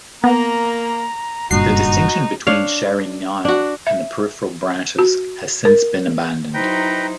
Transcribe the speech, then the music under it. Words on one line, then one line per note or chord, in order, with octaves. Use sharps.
The distinction between Chari-Nile and the peripheral branches has since been abandoned.
A#3 B3 A#5
F#1 G2 A#2 D#4 F#4 C7
D4 C#5 F5
D4 F#4
E5
F#4
A#4
F#3 D#4 E4 B4 C5 G5 A#5